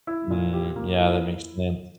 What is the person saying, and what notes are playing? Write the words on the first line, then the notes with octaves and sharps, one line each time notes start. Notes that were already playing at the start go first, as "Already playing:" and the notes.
Mm, yeah, that makes sense.
E4
A#2
G4
A#3
E4